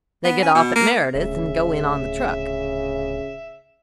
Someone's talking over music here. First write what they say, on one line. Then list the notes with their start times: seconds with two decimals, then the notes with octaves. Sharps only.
They get off at Meredith and go in on the truck.
0.25 B3
0.43 C#4
0.55 B2
0.76 A#3
1.15 D1 C#3 E5